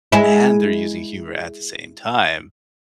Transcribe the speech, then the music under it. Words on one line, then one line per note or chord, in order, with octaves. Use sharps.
and they're using humor at the same time,
G#3 E4